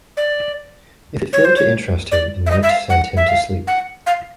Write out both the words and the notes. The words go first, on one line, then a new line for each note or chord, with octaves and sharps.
If it failed to interest him, it might send him to sleep.
D5
C#5
C5
C#5
D5
E5
D#5
E5
F5
F#5
E5
F5
F#5
F5